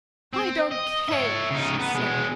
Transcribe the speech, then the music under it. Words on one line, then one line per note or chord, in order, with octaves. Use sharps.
"I don't care," she said.
C4
D#5
C#5 E5
C#3 D#4
B3
B2 G#3